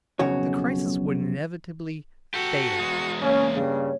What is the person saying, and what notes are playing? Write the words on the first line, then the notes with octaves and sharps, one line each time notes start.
The crisis would inevitably fail.
B1 F2 C#3 F#4 C#5
F#4 G4 A4
E2 G#3
C#3 A#3 C#4 C#5
G2 C#3